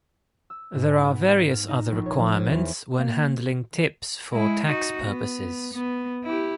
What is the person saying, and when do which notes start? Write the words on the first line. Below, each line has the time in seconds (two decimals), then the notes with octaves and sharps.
There are various other requirements when handling tips for tax purposes.
0.50 E6
0.75 G#2
0.88 G#5
1.14 B3
1.51 F6
1.68 D#4
1.91 A#1
2.06 C#5
2.19 F3
2.32 G#6
2.51 E2
2.99 A#3
4.32 G#3 E4
4.66 D#4 F#4
5.04 B3
5.73 B3
6.24 E4 G4